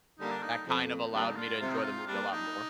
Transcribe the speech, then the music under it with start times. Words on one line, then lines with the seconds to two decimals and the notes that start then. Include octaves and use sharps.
that kind of allowed me to enjoy the movie a lot more.
0.19 D3 G3 A#3 D#4
0.30 D4
0.43 D#4
0.66 F2
1.13 D3 G3 A#3 D4
1.29 D#4
1.37 F4
1.60 C3 F4
1.73 D#4
1.84 F4
2.07 G3 A#3 D4
2.32 D#4